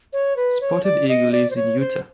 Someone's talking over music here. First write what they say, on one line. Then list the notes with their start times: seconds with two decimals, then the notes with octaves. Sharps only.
Spotted Eagle lives in Utah.
0.13 C#5
0.36 B4
0.61 C#5
0.83 D5
1.08 D#5
1.32 D5
1.50 C5
1.56 C#5
1.79 C5